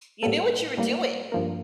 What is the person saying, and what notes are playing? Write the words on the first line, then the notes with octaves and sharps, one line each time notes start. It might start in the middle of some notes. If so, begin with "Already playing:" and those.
you knew what you were doing.
A2 G3 A#3 A4
A2 G3 A#3
G2 F3 A#3